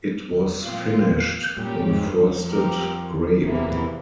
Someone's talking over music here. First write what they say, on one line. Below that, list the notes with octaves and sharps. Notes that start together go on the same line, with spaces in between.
It was finished in frosted grape.
A#2 F3 C4 F4
A#2 G3 C#4 G4
G#2
G2
G2
F2
G3 C4 G4 A#4
E2 C3 E3 A#3 E4
E2